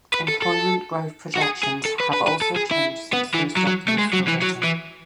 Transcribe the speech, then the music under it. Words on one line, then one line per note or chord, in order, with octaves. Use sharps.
Employment growth projections have also changed since those documents were written.
B4
A4
A4
F#4
G#4
G#4
A4
B4
B4
B4
A4
G#4
E4
B3
E3
F#3
F#3
A3
G#3
F#3
E3
F#3
E3